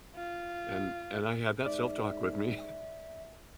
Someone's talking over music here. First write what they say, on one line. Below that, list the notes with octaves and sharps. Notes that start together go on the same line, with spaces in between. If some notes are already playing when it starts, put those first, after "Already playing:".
and and I had that self-talk with me.
F4
G#2 D5 E5